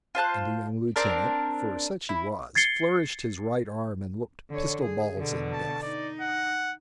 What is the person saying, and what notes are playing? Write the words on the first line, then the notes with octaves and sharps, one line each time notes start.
And the young lieutenant, for such he was, flourished his right arm and looked pistol-balls and death.
F4 C5 A5 F#6
C4 D4 A#4
E4
G#6 A6 C7 C#7 G7
D3 C#5
G#4
B2 D3
A5
D#4 D5
F#5